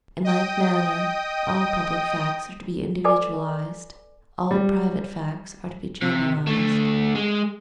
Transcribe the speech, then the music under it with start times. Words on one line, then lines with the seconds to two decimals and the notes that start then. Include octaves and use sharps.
In like manner all public facts are to be individualized, all private facts are to be generalized.
0.25 D#5 G5 D#6
3.04 A4 B4 D5 G#5 D6
4.51 G3
6.01 C3
6.47 D3 A3
7.15 G#3